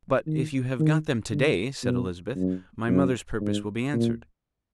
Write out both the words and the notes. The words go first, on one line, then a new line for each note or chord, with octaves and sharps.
"But if you have got them to-day," said Elizabeth, "my mother's purpose will be answered."
D#3
D#3
D3
B2
F#2
F#2
G#2
A#2